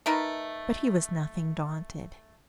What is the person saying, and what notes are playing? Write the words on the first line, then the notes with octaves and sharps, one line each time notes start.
'But he was nothing daunted.
A3 D#4 A#4 B4